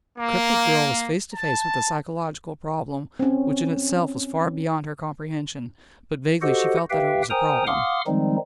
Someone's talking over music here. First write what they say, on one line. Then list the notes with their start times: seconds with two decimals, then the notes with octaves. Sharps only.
The crippled girl was face to face with a psychological problem, which in itself was far beyond her comprehension, but vaguely she felt that it was a problem.
0.19 A#3
1.34 A5
3.19 C4 C#4
6.42 F#4 G4 A4 C5 D#5 F#5
6.90 G4 B4 E5 F5 G5
7.30 A#4 C5 G5 G#5 A#5 D#6
7.67 F5 F#5 C6 D6 D#6 F6
8.07 D#3 F3 G3 G#3 C4 D#4